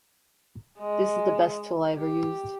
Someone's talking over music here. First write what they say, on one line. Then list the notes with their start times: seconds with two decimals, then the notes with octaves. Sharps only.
This is the best tool I've ever used.
0.78 G#3
1.96 G4